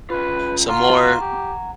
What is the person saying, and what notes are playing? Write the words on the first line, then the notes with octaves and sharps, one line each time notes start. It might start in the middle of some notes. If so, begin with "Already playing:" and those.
so more m
C#4 F4 B4
F4 F#5 A#5
G4